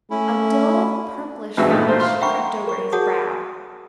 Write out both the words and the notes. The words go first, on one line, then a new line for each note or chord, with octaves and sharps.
A dull, purplish flush crept over his brow.
A3 C#4 E4
G#1 E2 G2 B2 F#4 E5
A#2 D#3 A3
A3 A#3 C5
F5 C6
E5 F#5 G5 A#5 B5 C#6
A#4 C#6
F#4 G#4 C#5 F#5 A5 D#6